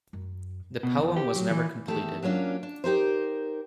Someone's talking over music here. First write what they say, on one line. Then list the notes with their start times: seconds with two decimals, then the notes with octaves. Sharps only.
The poem was never completed.
0.13 F#2
0.83 B2
0.98 E2
1.16 G4
1.36 F#3
1.50 E3
1.88 E2 D#3 A3 G4 A4
2.22 F#3 A#3 C#4 D4 F4
2.63 D4
2.84 D#4 G4 A#4 C5